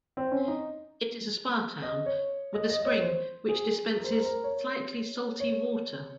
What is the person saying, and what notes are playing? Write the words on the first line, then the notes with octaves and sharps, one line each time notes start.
It is a spa town, with a spring which dispenses slightly salty water.
C4
C#4
D#4
D#5
C#5
D#5
D#5
D#5
C#5
C5
G#4
A#4
C5
A#4
C5
A#4
C#5
C#5